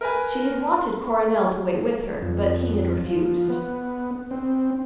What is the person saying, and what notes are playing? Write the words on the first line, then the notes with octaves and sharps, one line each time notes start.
She had wanted Coronel to wait with her, but he had refused.
A#4 B4 G#5
F2
F3
B3
C4